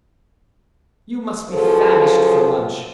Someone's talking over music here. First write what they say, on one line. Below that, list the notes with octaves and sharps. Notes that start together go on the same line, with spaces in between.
You must be famished for lunch.
F#2 F3 G#4 A4 B4